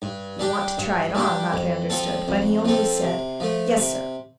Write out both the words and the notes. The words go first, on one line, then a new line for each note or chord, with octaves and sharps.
"You want to try it on," Matvey understood, but he only said, "Yes sir."
G2
G3 D4 G4
G2
G3 D4 G4
F2
F3 C4 A4
F2
F3 C4 A4
C3
F3 A3
C3